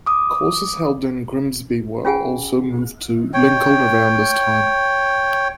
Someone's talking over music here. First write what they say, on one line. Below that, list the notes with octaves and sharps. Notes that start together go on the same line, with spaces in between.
Courses held in Grimsby were also moved to Lincoln around this time.
D6 D#6
C#4 F4 G#4 F#5 G#5
C#5 G5